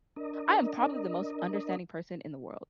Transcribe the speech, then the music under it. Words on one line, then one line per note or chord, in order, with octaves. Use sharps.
I am probably the most understanding person in the world.
D4 A#4 D#5